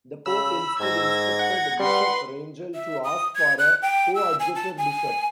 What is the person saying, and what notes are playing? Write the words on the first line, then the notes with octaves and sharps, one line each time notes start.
The Pope instead instructed Bishop Rangel to ask for a coadjutor bishop.
C#3 B5 E6
G#2 G#6 A#6
F#5
G3 B4 C6
E5
D#6
G#6
F#6
G5
E6
G#5
A5
G#5